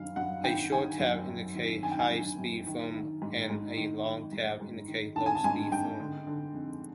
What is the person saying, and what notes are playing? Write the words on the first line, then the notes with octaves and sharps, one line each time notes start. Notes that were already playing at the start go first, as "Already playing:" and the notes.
A short tab indicated high-speed film, and a long tab indicated low-speed film.
Already playing: F#2 D#3 F5
F#2 F#5
D#3 G5
D#3 G#5
F#2
F#2
D#3
D#3 G#5
G5
G#5
F#2
F#2
D#3
D#3
G#2
G#2
D#3
D#3
G#2
G#2
D#3
D#3 A5
G#5
A5
G#2 G#5
G#2 G5
D3
D3
F2